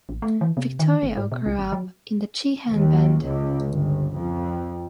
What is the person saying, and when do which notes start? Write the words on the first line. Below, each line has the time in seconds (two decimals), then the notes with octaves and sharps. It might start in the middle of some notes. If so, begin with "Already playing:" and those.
Victorio grew up in the Chihenne band.
0.09 A1
0.22 A3
0.41 E3
0.57 C3
0.79 D#3
1.03 G1
1.17 G#2
1.32 B2
1.46 C2
1.59 G#1
1.72 F#3
2.71 D#2
3.23 C#2
3.68 G1
4.16 F2